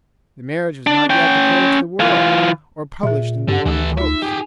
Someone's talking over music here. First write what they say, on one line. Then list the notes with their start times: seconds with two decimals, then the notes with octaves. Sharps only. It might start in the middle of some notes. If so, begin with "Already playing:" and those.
The marriage was not yet declared to the world, or published in the Morning Post.
0.87 D4
1.10 C#4 G5
2.00 E3 F4
3.03 A#2 G#4 E5
3.48 G2 D3 G4 F#5
3.66 D2 E3 A4
3.98 D#4 F4 E5
4.22 G4 G#4